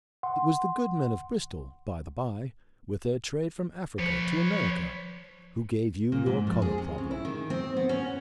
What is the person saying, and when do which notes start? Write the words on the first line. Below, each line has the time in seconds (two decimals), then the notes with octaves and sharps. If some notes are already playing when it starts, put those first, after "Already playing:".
It was the good men of Bristol, by the bye, with their trade from Africa to America, who gave you your colour problem.
0.23 F#5 C6
3.99 F3 B4 C#5
6.12 A#2
6.26 G#2
6.47 F2
6.62 G#4
6.78 C3
6.98 C#3
7.11 E4
7.25 D#3
7.50 C4
7.77 B3
7.89 C#4
8.05 F#5